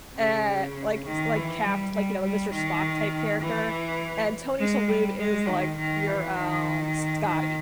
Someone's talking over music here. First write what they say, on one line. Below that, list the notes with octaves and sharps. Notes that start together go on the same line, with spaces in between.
uh, like, s like, capt like, you know, the Mr. Spock type character, and Tony Shalhoub is, like, your, um, Scotty.
C#3
D#3
E3
G3
G3
G3
D#3
E3
G#3
G3
G#3
D#3
D#3
E3
D#3
D#3